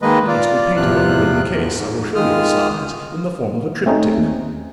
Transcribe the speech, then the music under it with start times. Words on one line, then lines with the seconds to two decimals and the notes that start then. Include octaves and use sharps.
It must be painted on a wooden case--I will show you the size--in the form of a triptych.
0.02 D#3 G#3 A#3 B4 D#5
0.28 F4 D5
0.76 E2 C3 F3 F4 F#6
1.53 E2
1.73 G#2
2.15 D#3 G#3 F4 D#6 F6
3.86 A3 C4 C#4 D#4
4.18 D#2